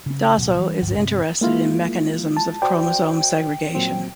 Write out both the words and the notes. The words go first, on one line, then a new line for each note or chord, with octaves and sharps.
Dasso is interested in mechanisms of chromosome segregation.
C#3
D1 C2 B2 F#3
E3 G3
D1 G#1 D2 G2
G1 C3
G#3 A#3 E4 F4
A5
F#4 C5 D5 G5
A#2 F#3 C4